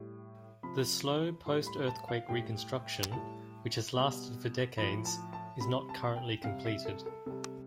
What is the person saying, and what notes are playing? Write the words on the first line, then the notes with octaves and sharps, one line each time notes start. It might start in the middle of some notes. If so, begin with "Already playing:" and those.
The slow post-earthquake reconstruction, which has lasted for decades, is not currently completed.
Already playing: A2 G3
C3 F3 B5
A2 G3 C6
B5
A5
F5
A2 G3 G5
A2 G3 A5
B2 G3
A2 F3 B5
A5
A5
C3 G3 B5
A5
G5
C3 G3 F5
E5
A4
A4
C3 G3 A4